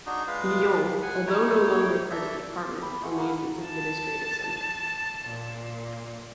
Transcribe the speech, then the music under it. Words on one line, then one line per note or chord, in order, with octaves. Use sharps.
Lyon, although no longer part of the department, remains its administrative center.
D4 D#4 F#4 G#4
G#3 F4 B4 F5
F#5 G#5
D#4 E4 C#5 G5
D4 A4 E5
C5 D6
G5 B5
G#3 A3 F#4 G#4
A#3 A4 B4 E5
A5
A#2